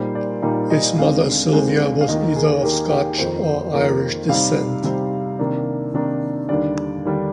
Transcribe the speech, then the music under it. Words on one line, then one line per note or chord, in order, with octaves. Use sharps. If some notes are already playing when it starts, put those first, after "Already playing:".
His mother Sylvia was either of Scotch or Irish descent.
Already playing: A#2 G3 A#3 D#4 C5
D5
A#2 G3 A#3 D#4
D#5
D#2 D3 G#3 C4 F5
D#2 D3 G#3 C4
F5
D#2 D#3 A#3 D#5
G#4
D#2 D#3 A#3 G4
G4
F2 D#3 A#3 C5
F2 D#3 A#3
C3 G3 C4 D#4 F5
C3 G3 C4 D#4
C3 D#3 A#3 D4
C3 D#3 A#3 D4
D#2 D3 G3 D4 D5
D#2 D3 G3 D4